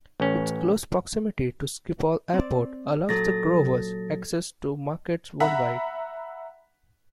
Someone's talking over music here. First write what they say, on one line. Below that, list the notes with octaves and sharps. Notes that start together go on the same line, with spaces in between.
Its close proximity to Schiphol Airport allows the growers access to markets worldwide.
A1 C#4
C4 D5
A#2 F#3 A4 A6 A#6
E5 F#5 A#5 B5 B6